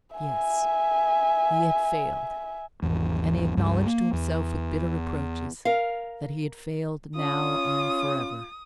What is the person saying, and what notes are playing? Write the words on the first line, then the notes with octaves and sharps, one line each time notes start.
Yes; he had failed: and he acknowledged to himself, with bitter reproaches, that he had failed, now and for ever.
E5 G#5
G#1 E2
C#2 G2
A#3
E2
A#4 F5
C#4 F4 D#6